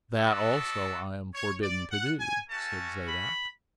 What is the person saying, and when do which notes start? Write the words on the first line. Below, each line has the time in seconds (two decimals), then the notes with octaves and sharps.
"That also I am forbidden to do," said Zadok.
0.18 B3 D4 F#4 A4
1.34 C#5
1.62 D5
1.91 F#5
2.19 G#5
2.49 A3 C#4 F#4 A5
3.07 B5